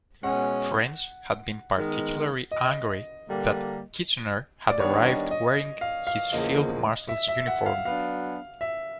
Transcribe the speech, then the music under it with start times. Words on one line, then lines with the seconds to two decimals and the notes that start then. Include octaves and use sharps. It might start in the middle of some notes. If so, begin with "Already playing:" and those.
French had been particularly angry that Kitchener had arrived wearing his Field Marshal's uniform.
0.23 B2 G#3 C#4 F#5
1.76 D#3 G#3 B3
2.51 D#5
3.28 D3 G3 A#3
4.70 D5
4.80 D#3 G3 B3 D4 C#5
5.06 D#5
5.31 D#5
5.81 F5
6.07 F5
6.33 E2 C#3 F3 A#3 D#5
7.09 E5
7.28 E5
7.47 F#5
7.66 F5
7.85 F#3 B3 D4 F5
8.61 E5